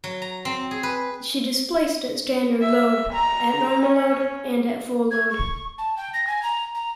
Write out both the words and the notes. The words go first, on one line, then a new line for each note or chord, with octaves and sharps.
She displaced at standard load, at normal load and at full load.
F#3
A#5
C4
G#4
B4
E5
A#5
C#4
G#6
C#6
A5
G5
A#6
G#5
A#5
A#5